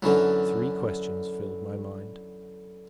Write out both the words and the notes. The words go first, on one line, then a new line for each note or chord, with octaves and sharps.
Three questions filled my mind.
F#2 D3 E3 F#3